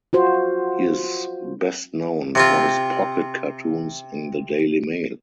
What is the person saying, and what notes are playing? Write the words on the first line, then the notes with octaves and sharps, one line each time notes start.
He is best known for his pocket cartoons in the Daily Mail.
F4 F#4 C5
C3 C4 F4